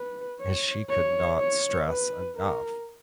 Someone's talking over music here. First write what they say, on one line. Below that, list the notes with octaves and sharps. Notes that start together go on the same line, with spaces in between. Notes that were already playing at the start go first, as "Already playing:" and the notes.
and she could not stress enough,
Already playing: B4
C#5
C#5
C#5
B4
A#4